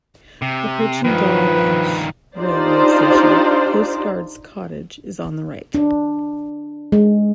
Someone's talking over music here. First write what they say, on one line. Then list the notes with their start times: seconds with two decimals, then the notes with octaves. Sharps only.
Approaching Dawlish railway station, Coastguard's Cottage is on the right.
0.42 C3
1.04 G2 D#3 F3 B4
2.38 D4 D#4 F4 G4 C5 D5
5.74 D4
6.92 G#3